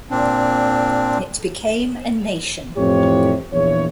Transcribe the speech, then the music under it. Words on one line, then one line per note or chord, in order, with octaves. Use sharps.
It became a nation.
A#2 C4 D4
F2 A2 C3 E3 G4 C#5
A#1 E2 E3 C#5